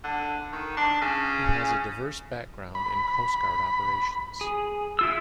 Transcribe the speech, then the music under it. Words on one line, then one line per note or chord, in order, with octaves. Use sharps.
He has a diverse background in Coast Guard operations.
D3
D#3
D4
C#3
B5
G#4
E4 F4 E6